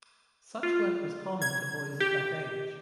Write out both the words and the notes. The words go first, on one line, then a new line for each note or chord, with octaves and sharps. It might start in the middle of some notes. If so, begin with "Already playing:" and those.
Such work was common to boys of that age.
F4
G#6
G4